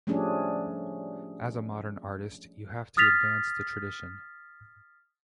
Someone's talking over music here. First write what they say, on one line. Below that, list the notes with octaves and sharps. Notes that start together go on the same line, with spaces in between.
As a modern artist you have to advance the tradition.
F3 G3 A3 C#4 D4 G#4
D#6 F6 A6 B6 F7